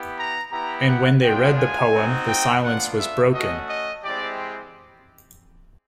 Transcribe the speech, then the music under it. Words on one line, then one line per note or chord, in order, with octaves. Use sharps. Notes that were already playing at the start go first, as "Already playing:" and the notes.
And when they read the poem, the silence was broken.
Already playing: B3 E4 G4
A#5
B3 E4 G4 A#5
F#5
G#3 B3 D4 F4 G5
G#5
C4 D#4 F#4
G5
B3 D4 F4 F#5
E5
A3 C#4 F#4 D#5
D#5
G#3 C4 E4 G4 D5